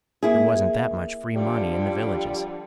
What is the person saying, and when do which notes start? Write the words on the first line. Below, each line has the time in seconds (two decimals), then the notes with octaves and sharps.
There wasn't that much free money in the villages.
0.23 A#3 E4 G#4
1.36 D3 F3 G3